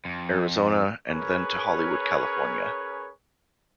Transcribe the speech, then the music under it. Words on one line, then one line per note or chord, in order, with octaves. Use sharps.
Arizona and then to Hollywood California.
F2
C#4 G#4 A#4 B4 C#5